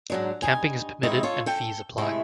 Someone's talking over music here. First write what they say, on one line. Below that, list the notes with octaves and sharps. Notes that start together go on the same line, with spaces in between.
Camping is permitted and fees apply.
G#2 F#3 D4
G2 D#4 G#5
D#3 G#3 C4 D#4 E4
F4 A4 C#5
A4 G5
A2 C3 G#3 A3 E4